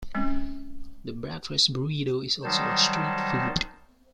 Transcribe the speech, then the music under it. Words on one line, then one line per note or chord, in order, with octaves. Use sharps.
The breakfast burrito is also a street food.
G#3 C4 C#4
D#3 F#3 G3 D#4 C5 A5